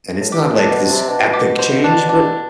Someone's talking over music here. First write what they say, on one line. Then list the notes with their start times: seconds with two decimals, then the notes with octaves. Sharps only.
and it's not like this epic change, but
0.21 A2
0.32 G2 G4
0.51 A2
0.57 D4
0.70 B2
0.83 D4
0.89 C3
1.08 B2 D4
1.33 G4
1.59 C5
1.84 D4
2.09 D4